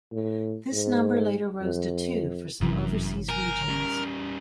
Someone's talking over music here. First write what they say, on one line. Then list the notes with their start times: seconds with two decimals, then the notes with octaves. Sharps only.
This number later rose to two for some overseas regions.
0.13 A2
0.72 G#2
1.62 F2
2.61 G1 F#2 C3 E3
3.29 B1 A#4 G#5
3.68 G3 C#4